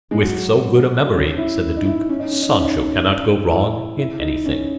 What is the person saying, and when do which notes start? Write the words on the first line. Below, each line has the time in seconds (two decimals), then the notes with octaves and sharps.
"With so good a memory," said the duke, "Sancho cannot go wrong in anything."
0.11 G#3
0.20 F#3
1.15 C#4
1.38 E4
1.77 D#4
1.85 E4
2.09 C#4
2.20 D#4
2.31 C#4
2.42 D#4
2.54 C#4
2.64 D#4
2.76 C#4
3.51 E4
3.98 E4
4.21 D#4
4.45 C#4